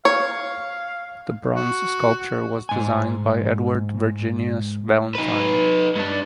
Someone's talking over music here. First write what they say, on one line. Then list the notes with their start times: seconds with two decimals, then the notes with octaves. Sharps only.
The bronze sculpture was designed by Edward Virginius Valentine.
0.05 C#5 F5
1.56 F#4
2.69 G#2 G#5
5.15 D#4 B4
5.95 G2 D4